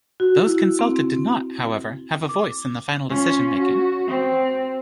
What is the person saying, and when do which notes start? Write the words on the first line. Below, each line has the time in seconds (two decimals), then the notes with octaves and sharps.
Those consulted did not, however, have a voice in the final decision making.
0.20 F#4
0.46 E4
0.79 C4
2.29 D6
3.10 C#4 F4
3.59 F#4
4.07 C4